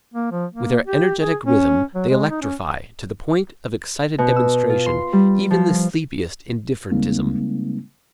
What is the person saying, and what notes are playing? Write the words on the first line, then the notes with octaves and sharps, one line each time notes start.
With their energetic rhythm they electrify, to the point of excited demonstration, even the sleepiest indifferentism.
A#3
F3
A#3
G4
G#4
C#4
F#3
G#3
D#4
C#4
B2
E6
F4
C6
G3
F3
C#3 G3 G#3 A#3 C4 D#4